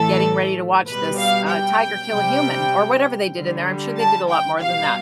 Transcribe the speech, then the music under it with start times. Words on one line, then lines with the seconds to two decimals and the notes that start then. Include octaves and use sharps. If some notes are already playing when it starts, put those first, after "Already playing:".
getting ready to watch this, uh, tiger kill a human, or whatever they did in there, I'm sure they did a lot more than that.
Already playing: A2 E3 A3 A4
0.86 B2 G3 B4
1.18 F5
1.49 G5
2.11 C3 G3
3.35 D3 G3
3.97 A5
4.29 G5
4.60 B2 G3 F5